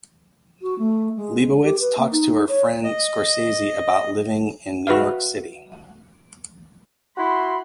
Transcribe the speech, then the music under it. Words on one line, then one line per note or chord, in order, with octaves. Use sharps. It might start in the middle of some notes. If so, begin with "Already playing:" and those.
Lebowitz talks to her friend Scorsese about living in New York City.
F#4
A3
G#3
G4
B4
A#3
D#4
C#5
D#5
F#4 B4 E5 F5
E4 F#4 B5 C6